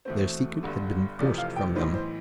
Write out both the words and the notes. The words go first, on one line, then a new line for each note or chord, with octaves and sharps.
Their secret had been forced from them.
E2 B2 A3 C4 C5
G1 G2 D3
F1 F2 C3 E3 D5
F5
G5
B1 A2 E3 C5
C5